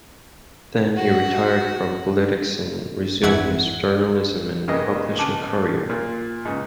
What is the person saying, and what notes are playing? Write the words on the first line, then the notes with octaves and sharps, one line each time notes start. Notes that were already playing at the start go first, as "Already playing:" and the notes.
Then, he retired from politics and resumed his journalism and publishing career.
F#4
G#1 F2 E3 E4 F#5 G#6
G2 C#3 A#3 D#5
C#2 A5 D6
A#2 F4
C#2 G#2